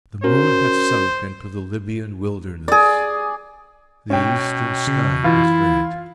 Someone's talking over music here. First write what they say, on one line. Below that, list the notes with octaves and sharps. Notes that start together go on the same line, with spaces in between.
The moon had sunk into the Libyan wilderness; the eastern sky was red.
C#4 F#4 A#4 C5
G#4 D5
B2 C#4 G5
C#3
E3 E4 F4 A6